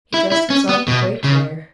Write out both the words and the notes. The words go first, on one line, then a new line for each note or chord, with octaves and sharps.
He dressed himself with great care.
E4
E4
C#4
B3
B2
C#3